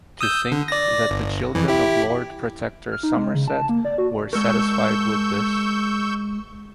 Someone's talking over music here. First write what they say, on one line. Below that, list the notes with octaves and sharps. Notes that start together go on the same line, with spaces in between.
To think that the children of Lord Protector Somerset were satisfied with this!
D#6 E6 G6
D3
D5 A#6
G1
F2 E3
E4 G4
F6
D#4
G#3
C#3
A5
A#3
D5
F#4
G#3 A#4 C#6 E6 G6